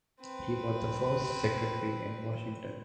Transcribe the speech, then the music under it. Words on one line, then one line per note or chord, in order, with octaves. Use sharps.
He was the first secretary in Washington.
C4 B4